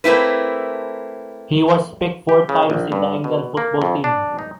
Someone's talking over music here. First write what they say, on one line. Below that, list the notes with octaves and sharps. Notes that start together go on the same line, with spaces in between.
He was picked four times in the England football team.
A3 A#3 C4 E4 B4
G4
C#3
A#1
G2
B2
A#3
F2
D4
D#4